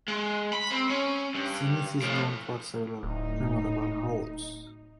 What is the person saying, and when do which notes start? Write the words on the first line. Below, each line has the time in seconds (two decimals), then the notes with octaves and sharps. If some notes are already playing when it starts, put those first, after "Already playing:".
Sinise is known for several memorable roles.
0.08 G#3
0.53 B5
0.70 C4
0.90 C#4
1.35 G2
2.02 A2 F3
3.03 D1 A2 D#4